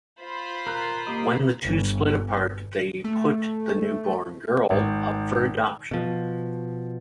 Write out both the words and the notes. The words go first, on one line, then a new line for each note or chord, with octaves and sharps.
When the two split apart, they put the newborn girl up for adoption.
F4 C5 B5
A#4 F#6
A#3 G4 D#5
G1
A3
G#1
B2 F3